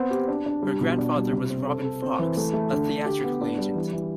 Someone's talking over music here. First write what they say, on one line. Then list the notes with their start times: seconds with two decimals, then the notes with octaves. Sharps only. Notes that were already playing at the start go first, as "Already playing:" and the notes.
Her grandfather was Robin Fox, a theatrical agent.
Already playing: B3 C4
0.10 G4
0.28 D4
0.46 D4
0.63 G3
0.81 B2
0.98 D4
1.16 G3
1.33 C3
1.50 C4
1.67 A4
1.84 A4
2.02 C4
2.19 E3
2.37 A3
2.54 A3
2.72 D3
2.89 D3
3.06 G4
3.24 B3
3.41 D4
3.58 G3
3.75 E3
3.93 E3